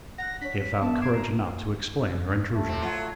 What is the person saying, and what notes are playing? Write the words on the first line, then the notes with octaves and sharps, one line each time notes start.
She had found courage enough to explain her intrusion.
F#5 F#6 A#6
D4 C#5 B6
B3 A#4 E5 A5
G#6 C7 D7 E7
A#5
A3
C3 C4
F#3 F4